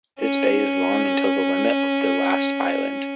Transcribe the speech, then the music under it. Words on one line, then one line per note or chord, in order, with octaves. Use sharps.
This bay is long until the limit of the last island.
C#4